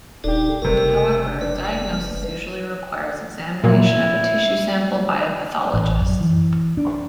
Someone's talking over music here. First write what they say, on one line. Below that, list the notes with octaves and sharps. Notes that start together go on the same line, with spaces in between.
However, diagnosis usually requires examination of a tissue sample by a pathologist.
D#1 D4 D#4 G4 A4
F#1 C3 A3 A#4
D4 B4
A#2 F#3 A#3 E4
A1
F#2
E3
D4